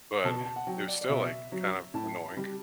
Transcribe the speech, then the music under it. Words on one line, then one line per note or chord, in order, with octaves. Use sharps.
but it was still, like, kind of annoying.
B2 A5
A5
F#5
F#3 G5
D5
D5
B2 E5
F#3
A2 A5
G3